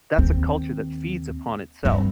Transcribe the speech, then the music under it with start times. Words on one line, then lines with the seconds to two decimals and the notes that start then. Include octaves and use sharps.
that's a culture that feeds upon itself.
0.18 D#2 C4
1.85 G2 C4